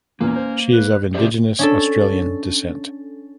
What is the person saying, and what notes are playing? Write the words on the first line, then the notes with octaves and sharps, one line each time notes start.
She is of Indigenous Australian descent.
E2 A#2 A#3 C#4
C5
B4
C#3 D4 G4 G#4 C5 E5
C#4 D4 A4